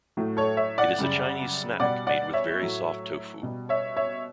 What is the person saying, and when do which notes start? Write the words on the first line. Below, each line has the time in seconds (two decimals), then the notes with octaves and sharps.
It is a Chinese snack made with very soft tofu.
0.17 A2 F#3 A3
0.37 A4 C#5
0.57 C#5 E5
0.78 D5 F#5
0.98 F#2 C#3 G3
1.80 B2 G3 D5 F#5
2.07 D5 F#5
2.33 C#5 E5
2.61 A2 F#3 A3
3.43 B2 G3
3.69 C#5 E5
3.97 C#5 E5